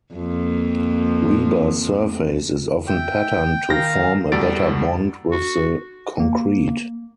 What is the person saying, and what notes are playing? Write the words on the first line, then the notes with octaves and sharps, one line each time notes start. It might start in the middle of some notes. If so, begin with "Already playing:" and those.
Rebar's surface is often patterned to form a better bond with the concrete.
F2 F3 A#3
E5 G5
D#3 F5 A#6
E2 G3 F#4 A4 A6 D7
F#4
A#3